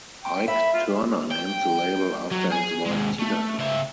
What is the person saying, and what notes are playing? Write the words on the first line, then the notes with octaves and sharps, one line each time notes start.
Ike Turner named the label after his wife Tina Turner.
G5
E5 B5
F4
G5
F#3
G#4
D#2 G#3
A3
C#3 E5